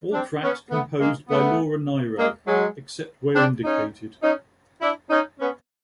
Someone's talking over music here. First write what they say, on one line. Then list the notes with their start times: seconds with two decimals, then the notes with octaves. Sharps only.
All tracks composed by Laura Nyro, except where indicated.
0.12 C4 D4
0.42 B3 C#4
0.71 A3 B3
1.00 G#3 A#3
1.29 A3 B3
2.17 G#3 A#3
2.46 F#3 G#3
3.34 C4 D4
3.63 C#4 D#4
4.22 C#4 D#4
4.81 D4 E4
5.10 C#4 D#4
5.40 B3 C#4